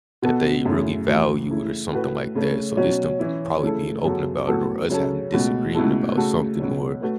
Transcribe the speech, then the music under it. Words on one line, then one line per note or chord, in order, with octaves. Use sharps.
that they really valued or something like that, so this them p probably being open about it or us having disagreement about something or
B2 B3 A4
F#2 C#3 A3 E4
A2 E3 A3 F#4
C#3 A3 E4
A2 A3 F#4 B4
C#3 A3 C#4
B2 F#3 C#4
E3 C#4 E4
C#3 A3 E4 A4
F#2 C#3 F#3 B3 A4
A2 F#3 B3 F#4 A4
C#3 F#3 C#4 A4
C#2 B2 A3
C#2 B2 A3 E4 A4
C#3 A3 F#4 A4
C#2 B2 F#3 C#4
A3 F#4 B4